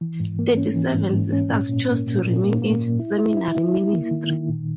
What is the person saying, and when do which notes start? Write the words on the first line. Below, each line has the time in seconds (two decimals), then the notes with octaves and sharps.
Thirty-seven sisters chose to remain in Seminary ministry.
0.01 E3
0.20 G#2
0.39 A#3
0.57 C#4
0.76 E3
0.95 G#2
1.13 G#2
1.32 C#4
1.50 A#2
1.69 A#2
1.87 A#3
2.07 A#2
2.25 A#2
2.43 A#3
2.62 A#3
2.81 A#2
2.99 E4
3.18 E4
3.37 E4
3.55 E4
3.74 E4
3.93 A#3
4.11 D#3
4.30 D#3
4.48 A#2